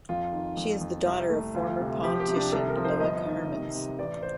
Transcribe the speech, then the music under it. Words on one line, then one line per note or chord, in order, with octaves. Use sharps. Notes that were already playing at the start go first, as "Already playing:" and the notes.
She is the daughter of former politician Loek Hermans.
F2 F4
D#3
F2
F2
C2
A3
D2 F4
C3
F3 G4
G4
C3
D4
C2 A4
A#4
F3
C5
G1 D#5
D#3
C3
C3
A1 D5
C5